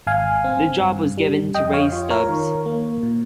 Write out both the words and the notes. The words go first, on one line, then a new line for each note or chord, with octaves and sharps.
The job was given to Ray Stubbs.
G#1 F5 G#5
C4
G2
G3
F2 D#5 G5
C#5 F5
F4
A#4 C#5
D#3
A#3
A#2